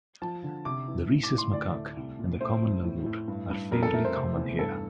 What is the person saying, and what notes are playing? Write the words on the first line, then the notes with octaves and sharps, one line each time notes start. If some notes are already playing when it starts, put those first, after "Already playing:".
The rhesus macaque and the common langur are fairly common here.
F3 A5
D3
C3 D6
E3
A2
D6
A2
C6
D2 D5
A3
C2
A#2
A3 C5
F2
A2
A2
G2
G2
F2 A#4
A4
A3 A#4
C5
C3
E2
G2 A4